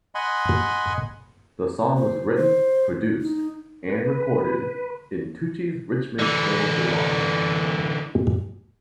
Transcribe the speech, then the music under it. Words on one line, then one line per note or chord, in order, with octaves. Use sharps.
The song was written, produced and recorded in Tucci's Richmond Hill garage.
D#5 F#5 G#5 B5 C6
C5
C5
D#4
B4
D3 E3